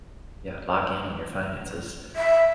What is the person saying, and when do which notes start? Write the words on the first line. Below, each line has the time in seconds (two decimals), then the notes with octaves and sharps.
Yeah, lock in on your finances.
2.15 E5